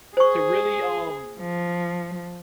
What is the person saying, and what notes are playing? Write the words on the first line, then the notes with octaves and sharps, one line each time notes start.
to really, um,
G#4 C5 C#6
F3